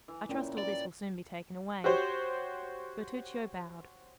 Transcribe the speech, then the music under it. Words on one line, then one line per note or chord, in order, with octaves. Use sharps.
"I trust all this will soon be taken away." Bertuccio bowed.
E3
A#2 C#4 E4 G5
D5
F#4 G4 C5 C#5